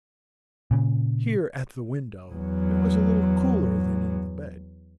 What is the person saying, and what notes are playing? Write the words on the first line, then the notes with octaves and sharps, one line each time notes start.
Here at the window it was a little cooler than in the bed.
A#2 C#3
E2 F#3